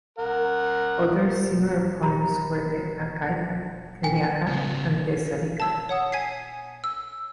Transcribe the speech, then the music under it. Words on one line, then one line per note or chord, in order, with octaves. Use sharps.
Other similar poems were the "Achaica", "Eliaca", and "Thessalica".
A#4 F#5
G4 A#5 B5
G5 G#5
C#3 B3
A5 E6
C#5 F#5 D#6
G#5 G#6 B6 C7
E6